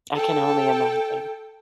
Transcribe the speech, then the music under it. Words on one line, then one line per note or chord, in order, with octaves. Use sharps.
I can only imagine.
A4 G5